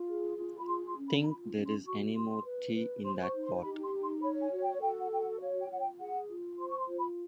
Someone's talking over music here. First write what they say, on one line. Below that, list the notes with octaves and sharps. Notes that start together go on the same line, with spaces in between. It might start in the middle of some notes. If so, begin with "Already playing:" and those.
Think there's any more tea in that pot?
Already playing: F4
G#4
F4
B5
G#4 C6
C6
C#4
B5
A#5
F4 B5
C#4
C6
F#4 C#6
F#4 C6
B4
B4
C5 C6
C#6
D#4
C6
G4 B5
C6
D#4
C6
C#5 B5
G#5
F#4
G5
A4 G5
F#5
F#4 G5
F#5
C#5 F5
G5
F4 F#5
G5
G#4 F#5
F4
C5 C6
C#6
C6
F4
B5